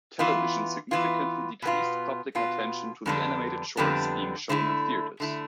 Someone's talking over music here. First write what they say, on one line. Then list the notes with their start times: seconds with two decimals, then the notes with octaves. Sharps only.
Television significantly decreased public attention to the animated shorts being shown in theatres.
0.19 E3 B3 F4
0.91 E3 B3 F4
1.62 B2 B3 F4
2.35 B2 B3 F4
3.06 F2 D3 G3 B3 D4
3.77 F2 D3 G3 B3 D4
4.49 D3 A3 E4
5.20 D3 A3 E4